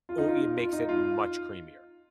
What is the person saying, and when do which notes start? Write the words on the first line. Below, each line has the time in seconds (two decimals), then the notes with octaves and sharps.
ooh it makes it much creamier.
0.09 F4
0.18 D#4
0.28 F4
0.57 F4
0.73 D#4
0.89 F4